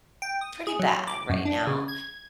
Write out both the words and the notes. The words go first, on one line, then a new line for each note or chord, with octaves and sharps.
pretty bad right now.
G5
D#6
G#4
F#3
D6
F#2
D4
C#3
G#6